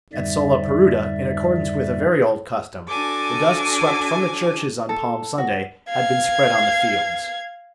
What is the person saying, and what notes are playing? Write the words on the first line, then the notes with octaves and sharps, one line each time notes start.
At Solaparuta, in accordance with a very old custom, the dust swept from the churches on Palm Sunday had been spread on the fields.
F2 G#2 D3 G3 D5 E5
D4 F#4 A4 G#5 D6
A4
F#4
F5 G#6